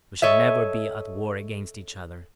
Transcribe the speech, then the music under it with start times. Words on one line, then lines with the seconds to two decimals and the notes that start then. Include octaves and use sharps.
We shall never be at war against each other.
0.22 A4 C#5 D#5 E5